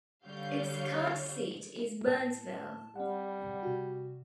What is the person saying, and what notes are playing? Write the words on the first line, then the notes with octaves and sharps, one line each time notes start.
Its county seat is Burnsville.
D3 G3 C#5 F5 G6
A2 A5
G3 C4 F#5
C3 F#4